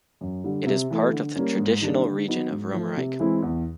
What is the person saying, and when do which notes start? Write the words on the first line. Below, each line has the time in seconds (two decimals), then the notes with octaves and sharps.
It is part of the traditional region of Romerike.
0.21 F#2
0.44 D3 G3
0.67 C3
0.90 E3 A3
1.13 D3
1.36 G3 A#3 C#4
1.59 G#2
1.81 D#3 G3 A#3 D4
2.05 D3
2.28 F#3 B3 D#4 F#4
2.51 G#2
2.74 F3 A3
2.97 C3
3.19 E3 G#3 C4 E4
3.42 E2